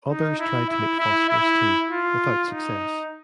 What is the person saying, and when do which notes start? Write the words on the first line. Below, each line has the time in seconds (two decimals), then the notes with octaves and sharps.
Others tried to make phosphorus too, without success.
0.09 D#4
0.39 E4
0.69 E4
0.99 E4
1.29 E4
1.90 F4
2.49 D#4